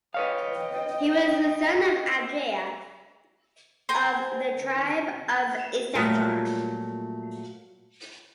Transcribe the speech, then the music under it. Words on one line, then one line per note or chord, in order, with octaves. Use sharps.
He was the son of Ahijah of the Tribe of Issachar.
B4 C#5 D#5 F5 G5
C5 G5 G#5 A#5
A#2 F#3 G3 A3 F4 A#4